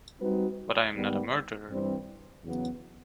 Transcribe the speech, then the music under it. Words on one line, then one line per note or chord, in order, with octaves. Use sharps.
But I am not a murderer.
G3 C4 D#4 F#4 B4
G#2 D#3 G3 B3
G2 E3 G3 C4
E2 C#3 F#3 B3